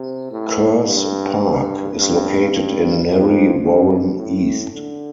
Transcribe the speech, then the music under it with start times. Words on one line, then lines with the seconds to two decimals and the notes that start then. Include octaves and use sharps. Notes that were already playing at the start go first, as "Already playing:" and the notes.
Kerrs Park is located in Narre Warren East.
Already playing: C3
0.31 A2
0.86 G2
1.42 G2
1.98 G2
2.52 G2
3.08 F2
3.63 G2
4.18 A2
4.73 D3